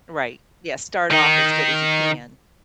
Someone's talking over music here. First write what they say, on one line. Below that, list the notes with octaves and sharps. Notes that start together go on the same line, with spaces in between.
Right. Yeah, start off as good as you can.
D#3 D#4